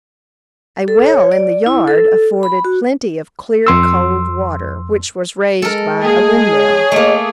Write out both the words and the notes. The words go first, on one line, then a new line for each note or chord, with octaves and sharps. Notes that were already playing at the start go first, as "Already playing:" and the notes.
A well in the yard afforded plenty of clear, cold water, which was raised by a windmill.
A4
C#5
D5
E4
A4
B5
F#4
F2 C6 E6
G#3 A4 A#4
A#3 G#4
C#5
A3 A#3 D#5